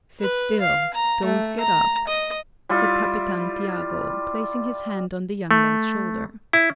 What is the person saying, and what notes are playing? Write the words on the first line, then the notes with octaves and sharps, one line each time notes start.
"Sit still, don't get up!" said Capitan Tiago, placing his hand on the young man's shoulder.
B4
F5
A#5
A3
A#5
D#5
G3 E4 F4
A3
E4